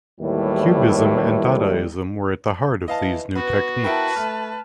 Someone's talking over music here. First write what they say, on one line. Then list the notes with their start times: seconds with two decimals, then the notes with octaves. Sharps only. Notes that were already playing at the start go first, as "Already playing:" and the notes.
Cubism and Dadaism were at the heart of these new techniques.
0.20 D#2 A2 E3 F#3 G3
2.88 E3 D#5 F5 A5
3.35 B3 F#4 B4
3.84 E4 A#4 B4 G5 A5
4.16 A3 F6